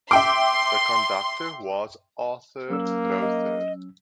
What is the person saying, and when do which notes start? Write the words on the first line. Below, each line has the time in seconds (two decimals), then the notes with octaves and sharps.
The conductor was Artur Rother.
0.11 E5 G5 C6 D6
2.70 F#3 A#3 C#4 E6
3.22 D#5